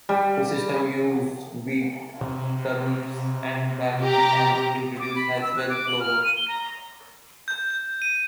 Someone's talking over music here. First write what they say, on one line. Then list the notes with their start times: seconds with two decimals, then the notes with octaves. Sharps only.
The system used wheat, turnips and barley and introduced as well clover.
0.09 G3
2.21 C3
4.01 G4 A#5
5.00 D6
5.15 B5
5.42 E6
5.56 F#6
5.69 D6
5.87 F#7
6.00 F6
6.24 D#7
6.37 G7
6.48 A#5
7.48 G6
7.70 G6
8.02 D#7